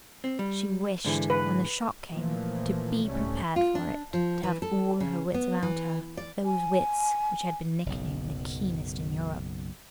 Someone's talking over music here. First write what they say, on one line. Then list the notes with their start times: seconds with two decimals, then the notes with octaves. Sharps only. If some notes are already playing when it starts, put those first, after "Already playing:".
She wished, when the shock came, to be prepared for it, to have all her wits about her--those wits which had been nicknamed the keenest in Europe.
0.24 C4
0.39 G3
1.05 G#2 D3 E3
1.30 B4
2.11 A#2 E3 F3 A3 A#3
3.04 C2 G#2 G3 A3 C#4
3.56 F4
3.75 D4
4.13 F3
4.43 E3
4.62 A4
5.00 C#3
5.34 B3
5.63 E3
6.17 D5
6.45 G#5
7.86 F#1 B1